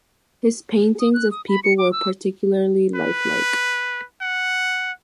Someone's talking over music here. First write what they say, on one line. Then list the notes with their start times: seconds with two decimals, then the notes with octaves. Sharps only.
His paintings of people were particularly lifelike.
1.00 D#6
1.14 F#6
1.31 D#6
1.48 B5
1.64 C#7
1.78 D6
1.92 E6
2.95 B4
4.21 F#5